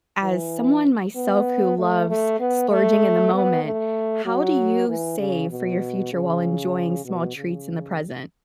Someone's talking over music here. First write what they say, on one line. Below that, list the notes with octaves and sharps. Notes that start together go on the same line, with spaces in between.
as someone myself who loves splurging in the moment, how do you save for your future while enjoying small treats in the present?
E3
B3
A3
A3
B3
A3
B3
A3
F#3
E3
C#3
B2
C#3
B2
C#3